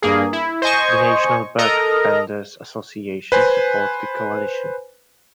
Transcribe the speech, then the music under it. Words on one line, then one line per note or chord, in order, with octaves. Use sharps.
The National Bulk Vendors Association supports the Coalition.
G2 A#3 G#4
E4
C5 D#5 G#5 C#6
A4 A#4 D#5 A#5
B4 C5 G#5